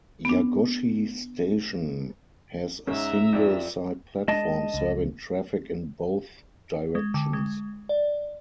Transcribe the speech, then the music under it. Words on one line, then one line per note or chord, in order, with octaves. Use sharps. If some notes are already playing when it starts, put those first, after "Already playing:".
Yagoshi Station has a single side platform serving traffic in both directions.
B3 D4
G#2 C#4 E5 A#5 E6
F2 D5
G#3 D4 D#5 A5
C#2
G#3
D3
G#3
D5